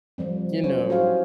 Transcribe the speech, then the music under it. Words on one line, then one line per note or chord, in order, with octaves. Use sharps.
you know
F3 G3 C4
F#3 C#4 F4 C5 C#5
E4 F#4 G4 C5 C#5 F5